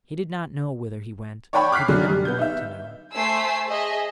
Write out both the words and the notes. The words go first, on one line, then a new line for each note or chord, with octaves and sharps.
He did not know whither he went; he did not want to know.
C#5 D5 F#5 G5 B5 C#6
D6 F6 F#6 B6 C7
F#2 D3
G3
B3 G6
D#4 E5
A3 C5 G#5 E6 C7
G#4 D#5 E5